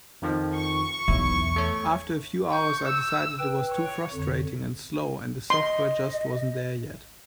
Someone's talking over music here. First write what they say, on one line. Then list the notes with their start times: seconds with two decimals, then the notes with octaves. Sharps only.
After a few hours I decided it was too frustrating and slow, and the software just wasn't there yet.
0.22 F2 D#3 F3
0.55 C#6
1.08 B1 E2 E4
1.56 A3 A4 C#5
2.53 C#6 G6
2.88 E6
3.39 B4 G5
3.72 C#5
4.14 F2 D3
5.50 D#5 C6